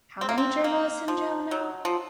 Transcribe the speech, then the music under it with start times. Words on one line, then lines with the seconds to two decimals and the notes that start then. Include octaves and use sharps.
How many journalists in jail now?
0.21 C4
0.29 A#3
0.38 C4
0.64 A#3
1.08 F3
1.51 F#3
1.85 F3